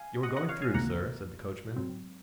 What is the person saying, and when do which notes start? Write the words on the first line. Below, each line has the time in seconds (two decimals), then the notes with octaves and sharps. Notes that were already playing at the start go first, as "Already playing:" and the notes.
'You are going through, sir?' said the coachman.
Already playing: F5 G#5
0.23 D#5 F#5
0.36 D#5 F#5
0.49 C#5 F5
0.62 F5 G#5
0.74 C#2 C3 D#3 A#3 F#5 A#5
1.76 G#2 F#3 C4